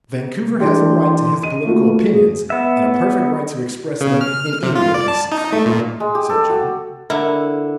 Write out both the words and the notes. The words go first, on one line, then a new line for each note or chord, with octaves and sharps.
"Vancouver has a right to his political opinions, and a perfect right to express them in any way he sees fit," said John.
E3 D4 G4 C6
D#5 D#7
A3 A#3 F4 F#4
G#4
B3 E5
C#3
F6
C3
F4
D5
A5
D#4
A3
A#2
G#3
G4
A4
F#4
D3 E4 A#4